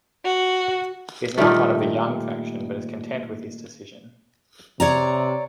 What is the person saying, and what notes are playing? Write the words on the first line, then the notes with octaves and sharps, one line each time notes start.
He's now part of the Young faction but is content with his decision.
F#4
A#2 D#3 G3 A3
C3 C#5 D5 A#5